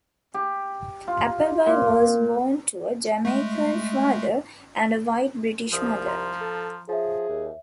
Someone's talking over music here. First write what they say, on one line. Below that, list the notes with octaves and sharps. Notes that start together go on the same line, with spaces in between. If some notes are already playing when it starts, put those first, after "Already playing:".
Appleby was born to a Jamaican father and a white British mother.
G4
F4
A#2
G#3 A3
C2 F3 D#6
A#5 C6
A4
F3 G#4 C#5 E5
D#2